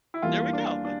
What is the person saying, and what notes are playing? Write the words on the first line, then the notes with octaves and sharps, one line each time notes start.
There we go.
E4
E2 E3 G3 A#3 F4
D4
D4